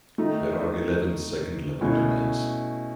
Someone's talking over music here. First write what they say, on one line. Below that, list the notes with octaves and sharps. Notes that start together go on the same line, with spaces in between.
There are eleven second-level domains.
D#3 A3 D#4
B2 A3 C#4 E4